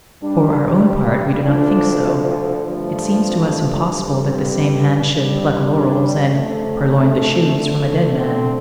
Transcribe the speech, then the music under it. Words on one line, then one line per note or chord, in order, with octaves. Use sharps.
For our own part, we do not think so; it seems to us impossible that the same hand should pluck laurels and purloin the shoes from a dead man.
G2 G3 D4
D2 D3 F3 D4
G2 F3 A3
C4
D4
G2 D3 G3 D4
C4
G2 G3
D4
F2 C3 A3
D4
D2 D3 A3
C4